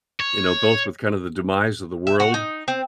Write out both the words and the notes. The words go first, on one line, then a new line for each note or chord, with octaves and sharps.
you know, both with kind of the demise of the world,
C#5
E5
F#4
D#4
C4